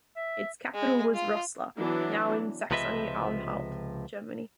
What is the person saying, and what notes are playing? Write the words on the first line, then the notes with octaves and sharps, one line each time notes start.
Its capital was Rossla, now in Saxony-Anhalt, Germany.
E5
G#3
F4
E3 F#3 B3 D4
C#2 C3 F3 B4 D#5 E5